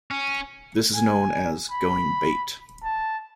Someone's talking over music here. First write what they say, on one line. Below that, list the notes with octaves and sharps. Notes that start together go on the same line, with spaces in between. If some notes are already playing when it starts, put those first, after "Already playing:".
This is known as "going bait".
C#4
G#5
B5
A5